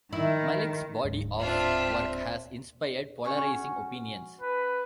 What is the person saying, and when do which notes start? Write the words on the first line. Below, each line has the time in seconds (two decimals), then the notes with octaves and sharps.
Malick's body of work has inspired polarizing opinions.
0.13 D#3 E4
1.04 D1 G#2
1.39 C4 D4 F4 E5
3.24 C#4 F#4 C#6
4.41 B4